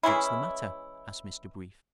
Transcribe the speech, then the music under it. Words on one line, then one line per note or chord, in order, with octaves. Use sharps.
"What's the matter?" asked Mr. Brief.
E3 G#3 C#4 E4